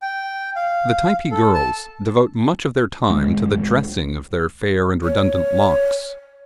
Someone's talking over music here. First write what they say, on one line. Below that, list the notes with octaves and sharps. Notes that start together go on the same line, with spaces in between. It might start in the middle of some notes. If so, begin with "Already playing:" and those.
The Typee girls devote much of their time to the dressing of their fair and redundant locks.
G5
F5
A4
A5
D1 D#3 G#3
C#5